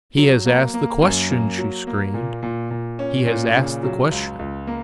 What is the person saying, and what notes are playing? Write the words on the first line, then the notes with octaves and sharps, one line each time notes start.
"He has asked the question!" she screamed--"he has asked the question!"
F#3
A#3
A#3
F#2
A#3
F#3
A#3
A#2
A#2
A#2
C#4
A#2
C#3
F#3
C#2
C#2
A#3